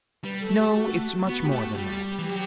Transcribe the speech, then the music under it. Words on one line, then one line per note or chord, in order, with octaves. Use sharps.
No, it's much more than that.
G3 B4
A4
A3
G4
F#4
B3 F#4
G4
A3
F#4
G3 G4
E3
F#3